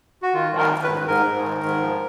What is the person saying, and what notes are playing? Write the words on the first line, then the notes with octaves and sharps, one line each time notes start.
that's always a positive.
F#4
D#3 F4
D#3
A#4
D#3
B4
G#2
G#2 A#4
G#2
D#3
G#2
F3